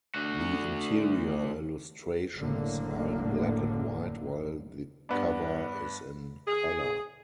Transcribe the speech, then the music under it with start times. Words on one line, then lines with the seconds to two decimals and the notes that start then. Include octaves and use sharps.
The interior illustrations are in black and white while the cover is in colour.
0.15 D2 F#4
2.36 F#1 A2 D3 A#3
5.09 G2 B3 D4
6.47 G#4